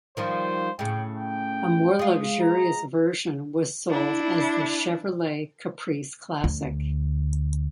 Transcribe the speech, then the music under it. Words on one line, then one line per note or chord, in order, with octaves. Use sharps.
A more luxurious version was sold as the Chevrolet Caprice Classic.
D#3 F3 G3 C5
A2 C#3 G5
G5
G#3 F4
A#5
D4 E4
D2